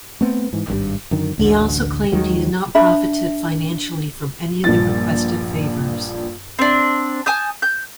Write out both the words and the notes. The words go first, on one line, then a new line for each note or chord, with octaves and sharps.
He also claimed he had not profited financially from any of the requested favors.
A3 B3 C4
G#2 E3
G#1 G2 C3 G3
F#2 D3 D#3
A1 D2 D3
D#2 D#3 F#3 G#3
D4 E5 B5
A#1 G2 F3 A6
C4 D4
G#5 A5 D#6 G6
G6